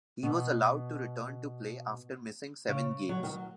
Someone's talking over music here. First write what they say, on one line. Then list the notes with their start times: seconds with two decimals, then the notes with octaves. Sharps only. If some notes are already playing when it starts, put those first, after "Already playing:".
He was allowed to return to play after missing seven games.
0.23 B2
2.69 C#3
3.09 F#3
3.23 D#3
3.30 F#3